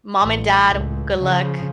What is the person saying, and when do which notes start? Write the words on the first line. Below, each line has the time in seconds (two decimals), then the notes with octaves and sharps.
"Mom and dad, good luck,"
0.21 A1
0.68 C#2 A2
1.19 C#3 F3